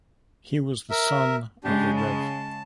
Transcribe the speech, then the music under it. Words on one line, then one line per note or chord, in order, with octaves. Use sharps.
He was the son of the Rev.
A#4 E5
C#3 G#3 D4 G4
A5